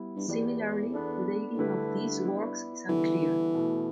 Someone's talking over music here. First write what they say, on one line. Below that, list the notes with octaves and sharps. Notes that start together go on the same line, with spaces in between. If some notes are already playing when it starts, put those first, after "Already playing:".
Similarly, the dating of these works is unclear.
Already playing: G3 B3 E4
G2
E2 E3 B3 G4 D5
B3 D4 A4
A2
G2 D3 A3 E4 G4 B4
B3 E4 B4 D5
D3 E3 G3 B3 D4 A4
B2 A3 E4